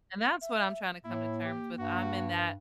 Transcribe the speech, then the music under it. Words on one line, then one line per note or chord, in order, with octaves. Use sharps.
And that's what I'm trying to come to terms with I'm in that
E5
A2 A#3 E4
G4
G2 F#4